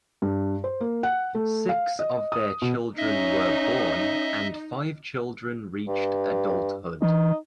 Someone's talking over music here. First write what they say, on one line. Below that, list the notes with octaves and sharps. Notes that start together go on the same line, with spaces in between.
Six of their children were born and five children reached adulthood.
G2
C5
A#3
F#5
A3
F5
D#5
D#6
B2
C#4 D#4 D#5 E5
G2
E3 D#4